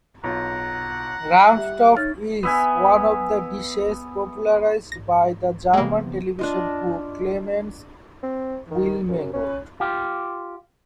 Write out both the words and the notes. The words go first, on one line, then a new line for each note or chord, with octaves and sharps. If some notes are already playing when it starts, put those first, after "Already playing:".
Rumtopf is one of the dishes popularised by the German television cook Clemens Wilmenrod.
B1 F4 F#5 A#5
G3 E5
D#4 C#5 F6 A6
B3 E5 G#5
G#1 A#6
C3 E3 G#3 A#3 B3
D4 F4 D#5
C4
D#3
F#2
C#4
F4 G4